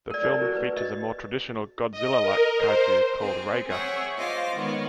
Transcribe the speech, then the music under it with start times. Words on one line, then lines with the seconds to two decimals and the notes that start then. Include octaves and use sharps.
The film features a more traditional Godzilla like kaiju called Raiga.
0.11 A#4 D5
0.24 A4 A#4 D5 A5
0.42 F#4
0.57 B4
0.77 D#5
1.92 D#5
2.22 A#4
2.59 C5
3.19 C4 G#4
3.69 G#4 C#5 E5 F#5 G5
4.18 F4 C5 D#5 F5 D6
4.55 D#3 G#3 B3 C#5